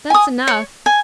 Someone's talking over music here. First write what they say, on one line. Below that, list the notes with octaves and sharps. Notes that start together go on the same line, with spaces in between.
"That's enough."
G#5 D#6
C#5
G#5